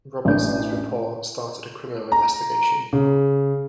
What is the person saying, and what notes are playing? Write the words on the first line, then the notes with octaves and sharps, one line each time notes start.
Robertson's report started a criminal investigation.
A1 E3 D4 G6
A#5
C#3